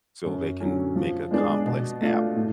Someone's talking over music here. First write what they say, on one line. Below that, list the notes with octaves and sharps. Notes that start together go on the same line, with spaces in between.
so they can make a complex app.
F#2
D3 F#3 C#4
F3
G#3 B3 D4 G#4
B2
A3 D4 F4
A2